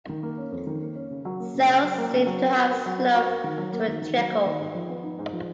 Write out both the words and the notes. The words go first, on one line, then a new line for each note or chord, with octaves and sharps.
Sales seem to have slowed to a trickle.
D#3
A#3
C#4
F2
D#3
A#3
C#4
C#3
F#3
A#3
C#3
C#3
F#3
A#3
C#3
F#3
B3
F#4
A#4
F#3
B3
F#4
A#4
D#3
F#3
A#3
D#3
D#3
F#3
A#3
D#3
G#2
F3
B3
D#4
G#2
F3